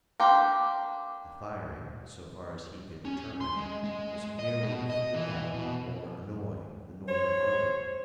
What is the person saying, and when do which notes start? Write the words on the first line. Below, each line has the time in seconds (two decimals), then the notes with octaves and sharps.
The firing, so far as he could determine, was merely to feel out or annoy the Northern army.
0.20 A#3 D4 G4 F5 G5 C6
3.05 C#4
3.41 C6
3.57 G#3
3.84 G#3
4.39 D#5
4.63 B2
4.90 D#5
5.14 E3
5.54 B2
7.08 C5 C#5